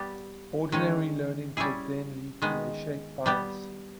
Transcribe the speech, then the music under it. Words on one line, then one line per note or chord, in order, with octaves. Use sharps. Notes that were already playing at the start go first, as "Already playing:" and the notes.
Ordinary learning could, then, lead to a shape bias.
Already playing: G3 B3 G4
D#3 G#3 C#4
G3 C#4 E4 G#4
D#3 G#3 B3
G3 B3 G4